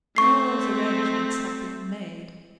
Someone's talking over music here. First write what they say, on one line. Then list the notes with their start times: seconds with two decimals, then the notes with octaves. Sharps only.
'All those arrangements have been made.'
0.16 A3 C4 C#6 C7